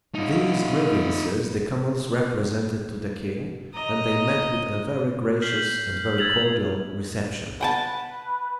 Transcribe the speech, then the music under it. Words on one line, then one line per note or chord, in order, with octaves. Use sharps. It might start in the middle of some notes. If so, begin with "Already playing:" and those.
These grievances the commons represented to the king and they met with a very gracious and very cordial reception.
D#4 F4
D#5 A#5
F6 G6 B6 C7 F#7
E6 G#6 A6 F7 F#7
B4 F#5 G5 A5